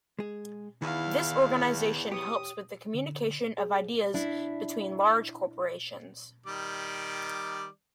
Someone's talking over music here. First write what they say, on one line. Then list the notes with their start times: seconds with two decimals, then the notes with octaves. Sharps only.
This organization helps with the communication of ideas between large corporations.
0.19 G#3 G#4
0.82 E2 D#3 E4 F5
2.12 G4 C#5 D#6
2.94 D3
3.58 G#4
4.14 D4 E4
6.46 D#3 G3 D5